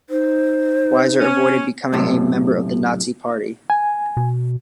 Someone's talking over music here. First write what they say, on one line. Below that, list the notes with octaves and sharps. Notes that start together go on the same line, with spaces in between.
Weiser avoided becoming a member of the Nazi Party.
D#4 C5
C#4
B1 F#2 A2 C3
G#5
B2